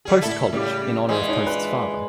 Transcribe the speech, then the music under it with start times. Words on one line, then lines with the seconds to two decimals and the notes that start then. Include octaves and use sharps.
Post College in honor of Post's father.
0.05 D3 G3 G#4
0.22 A2 E4 A4 E5
0.52 A2 C#3 G3 G4
1.09 A#2 E3 G#3 G#4
1.28 D4 D#4 C#5
1.47 D4 B4 F#6